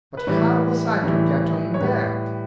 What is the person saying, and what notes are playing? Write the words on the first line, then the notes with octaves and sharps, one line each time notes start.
But how was I to get on deck?
B4
A2 E3 G3 C#5
A2 E3 G3
C#5
A2 G3 B4